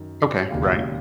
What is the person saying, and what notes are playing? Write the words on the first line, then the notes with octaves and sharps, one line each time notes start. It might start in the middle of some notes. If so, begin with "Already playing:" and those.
Okay. Right.
Already playing: F#2 D#3
E1 D#2 C#3